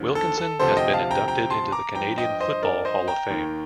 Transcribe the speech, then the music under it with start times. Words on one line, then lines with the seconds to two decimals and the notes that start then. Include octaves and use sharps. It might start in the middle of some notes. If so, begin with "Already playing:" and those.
Wilkinson has been inducted into the Canadian Football Hall of Fame.
Already playing: D#2 D3 F3
0.15 A4
0.38 A4
0.59 D2 C3 F3 A4 C5
0.77 D#5 G5
0.94 F5 A5
1.11 G5 A#5
1.28 G5 A#5
1.50 A5 C6
1.72 A#5 D6
1.95 G2 F3 G5 A#5
2.18 D#5 G5
2.40 C5 D#5
2.63 A#4 D5
2.85 C5 D#5
3.08 G5 A#5
3.30 D#2 D#3